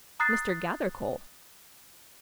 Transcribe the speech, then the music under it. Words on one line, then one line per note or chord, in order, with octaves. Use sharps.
"Mr. Gathercole!"
A#5 D#6 F#6 A6 C7